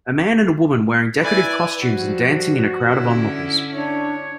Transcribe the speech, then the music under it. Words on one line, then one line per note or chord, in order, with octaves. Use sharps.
A man and a woman wearing decorative costumes and dancing in a crowd of onlookers.
E4 B4 D5 G#5
G2 F3 F#4
D3 C#4 E4
D4 C#5